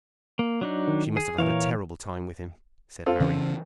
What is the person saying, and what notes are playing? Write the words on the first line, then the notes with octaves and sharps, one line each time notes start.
"She must have had a terrible time with him," said Harry.
A#3
F#3 D4 D#4
D#3
G#4
A#2 E3 A#4 C#5 F5
C4 F4 A4
C#3 E3 C#4